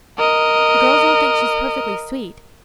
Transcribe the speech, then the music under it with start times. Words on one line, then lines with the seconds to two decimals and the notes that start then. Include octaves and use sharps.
The girls all think she is perfectly sweet.
0.18 A#4 D#5